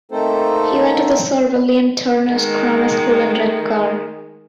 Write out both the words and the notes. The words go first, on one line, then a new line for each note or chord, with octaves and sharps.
He went to the Sir William Turner's Grammar School in Redcar.
A3 A#3 C4 D#4 A4 C5
D#3 G#3